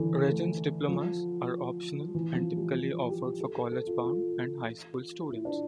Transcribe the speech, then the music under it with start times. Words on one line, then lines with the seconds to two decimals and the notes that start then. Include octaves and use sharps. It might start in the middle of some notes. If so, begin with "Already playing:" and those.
Regents diplomas are optional and typically offered for college-bound and high school students.
Already playing: D3 E3
0.26 A3
0.88 F3
2.15 E3
2.35 F3
2.56 G3
3.08 G4
3.25 G4
3.40 A4
3.56 A4
3.72 A4
3.87 F4
4.03 F4
5.30 E4
5.45 D4